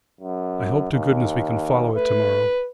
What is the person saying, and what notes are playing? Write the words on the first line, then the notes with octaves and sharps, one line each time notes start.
I hope to goodness we can follow it to-morrow.
F#2
D#2
A3 B4